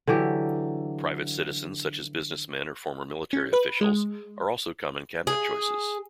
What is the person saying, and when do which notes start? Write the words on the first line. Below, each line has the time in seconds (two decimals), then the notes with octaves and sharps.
Private citizens such as businessmen or former military officials are also common Cabinet choices.
0.07 D3 E3 F#3 G4
3.33 C#4
3.53 B4
3.81 G#3
5.27 G#4